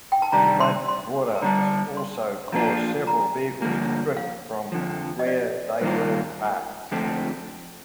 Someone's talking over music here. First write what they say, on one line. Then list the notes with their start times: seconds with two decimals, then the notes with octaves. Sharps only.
Floodwaters also caused several vehicles to drift from where they were parked.
0.12 G5
0.22 A5
0.32 C3 D#3 G3 D4 G4 A#5
0.60 C6
0.88 C6
1.35 A5
1.42 D3 G3 D4 A#5
1.97 C6
2.52 F3 A#3 D4 F4 A#5
3.07 A#5
3.62 G2 D3 F3 A#3
4.17 F5
4.72 F2 D3 F3
5.19 D#5
5.27 D5
5.81 G2 D#3 A#3 F4 C5
6.92 F2 D3 A3 C4 A4